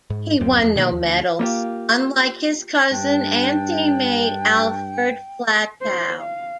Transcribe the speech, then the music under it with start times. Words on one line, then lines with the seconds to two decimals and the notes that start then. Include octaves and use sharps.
He won no medals, unlike his cousin and teammate Alfred Flatow.
0.10 G#2
0.40 D1 F#2 C4
0.63 F2
0.76 B2 D#3 F#3 A#3
0.92 D#2
1.04 D2
1.39 A#3 F4 G4
2.92 G2 D4 G5
5.82 C5
6.22 F5